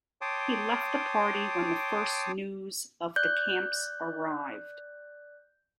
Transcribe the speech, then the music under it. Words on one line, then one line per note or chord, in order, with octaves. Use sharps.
He left the party when the first news of the camps arrived.
C#5 G5 A5 C6 D6 D#6
D5 F#6 G6